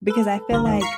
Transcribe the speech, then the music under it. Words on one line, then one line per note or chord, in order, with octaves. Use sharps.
because I feel like
A4 B4
G1 C2 D3 A#4
D#2 G#2 D#3
F5 A#5 C#6 B6 C#7